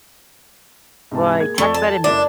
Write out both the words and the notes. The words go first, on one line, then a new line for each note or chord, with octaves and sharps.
Boy, talk about am
G#2 C3 A5
A#3 G#4 G#6
F2 A3 D5 G7
A5
F#1 D4 E4